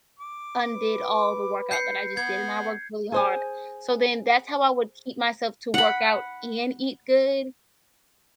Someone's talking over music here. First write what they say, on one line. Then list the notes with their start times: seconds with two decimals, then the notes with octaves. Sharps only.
undid all the workout that I just, did and I worked really hard," so, then that's how I would keep myself to work out and eat good,
0.19 D6
0.73 B4
1.71 G6 C7 C#7
2.17 B3 G#6
3.12 G#4 C5 G#5
5.74 F#5 B5